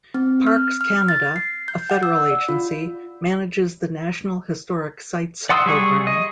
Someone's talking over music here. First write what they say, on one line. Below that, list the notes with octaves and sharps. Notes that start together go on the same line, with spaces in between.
Parks Canada, a federal agency, manages the National Historic Sites program.
C4
F6
F6
A6
C7
G6
F#5
E6
D5
F4
D5 F#5 C6 D#6 E6
G3 G#4 C#6 D#6
D#5